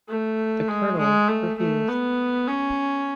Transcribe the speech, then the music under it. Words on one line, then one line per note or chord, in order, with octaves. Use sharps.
The colonel refused.
A3
G#3
G#3
A3
A3
B3
C#4